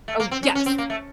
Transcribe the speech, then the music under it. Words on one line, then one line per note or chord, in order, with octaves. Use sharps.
Oh, yes!
A3
A#3
C4
C#4
C#4
C4
A#3
A3